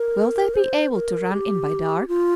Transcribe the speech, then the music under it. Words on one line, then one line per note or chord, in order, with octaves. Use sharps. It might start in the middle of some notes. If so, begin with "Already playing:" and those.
"Will they be able to run in by dark?"
Already playing: A#4
C5
A#4
G4
F4